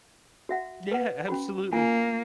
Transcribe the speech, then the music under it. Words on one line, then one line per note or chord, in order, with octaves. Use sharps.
Yeah, absolutely.
F#4 E5 F#5
B4 F#5
C#4 F#4 B5
A#3 F4 G#5